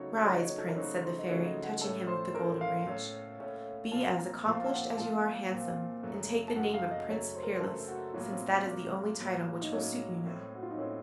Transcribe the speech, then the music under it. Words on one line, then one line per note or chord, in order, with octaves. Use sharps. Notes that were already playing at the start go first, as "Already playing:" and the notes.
'Rise, Prince,' said the Fairy, touching him with the Golden Branch. 'Be as accomplished as you are handsome, and take the name of Prince Peerless, since that is the only title which will suit you now.'
Already playing: C#3 F#3 A3 D#4 F#4 C#5
C#3 F#3 A3 D#4 F#4 C#5
D#5
C#5
A4
A#4
C#3 F#3 A3 D#4 F#4 C5
C5
D#5
C#3 F#3 A3 D#4 F#4 C#5
D#5
F#5
A2 A3 C#4 A4 A5
C5
A2 A3 C#4 A4 A#4
F5
A2 A3 C#4 A4
A2 A3 C#4 A4
A#2 F3 C4 F4 A5
A#5
A#2 F3 C4 F4 A5
A5
F#5
A#2 F3 C4 F4 A5
A#2 F3 C4 F4
F#2 C#3 F#3 A3
A5
F#2 C#3 F#3 A3 F#5
F5
D#5
F#2 C#3 F#3 A3 C#5
C5
A#4
C5
F#2 C#3 F#3 A3 A4
F#4
A2 F#3 A#3 F4
C4
C4
A2 F#3 A#3
A2 F#3 A#3
D#4
A2 F#3 A#3 C#4
A2 A3 C4
F#4
F4
D#4
A2 A3 C4 C#4